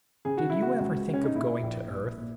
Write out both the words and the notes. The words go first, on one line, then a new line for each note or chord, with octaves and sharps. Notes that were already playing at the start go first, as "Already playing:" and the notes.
"Did you ever think of going to Earth?"
C#3 G#4
F#4
C#3 E4
F#4
C#2
C#3
C#4
D#4
A#2 E4
A#1
A#1
A#2